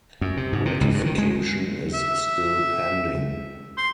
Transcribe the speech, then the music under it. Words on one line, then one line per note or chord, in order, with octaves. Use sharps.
Ratification is still pending.
F#2
C3
G#2
C3
C#2
G2
D#3
G#3
E5
C6